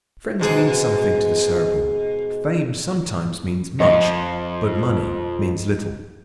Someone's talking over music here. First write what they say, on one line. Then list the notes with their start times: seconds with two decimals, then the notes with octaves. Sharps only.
Friends mean something to the Cerebral, fame sometimes means much but money means little.
0.39 G#2 B2 G#4
3.80 F2 D#5